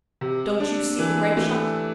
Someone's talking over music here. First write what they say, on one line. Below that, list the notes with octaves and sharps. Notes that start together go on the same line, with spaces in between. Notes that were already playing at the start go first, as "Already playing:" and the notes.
"Don't you see the grape-shot?"
C3
D4
E3
A3